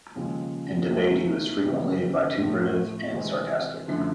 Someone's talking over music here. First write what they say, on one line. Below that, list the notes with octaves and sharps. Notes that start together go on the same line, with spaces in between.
In debate he was frequently vituperative and sarcastic.
D#2 C#3 F3 G#3
C#2 B2 F#3 A3 C#4
F#2 C#3 E3 G3 B3
A2 F3 A3
C3 E3 G#3 C4 E4
F#2 D3 F3 A3